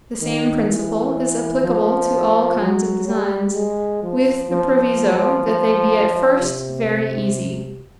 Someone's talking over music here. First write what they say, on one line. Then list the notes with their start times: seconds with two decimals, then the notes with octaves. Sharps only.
The same principle is applicable to all kinds of designs, with the proviso that they be at first very easy.
0.21 D#3
0.69 E3
1.64 F3
2.60 F#3
3.07 G3
3.54 G#3
4.03 F3
4.50 F3
5.44 F3
6.41 C3